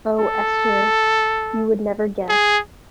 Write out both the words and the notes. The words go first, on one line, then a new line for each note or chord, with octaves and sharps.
Oh, Esther, you would never guess!
A4
G#4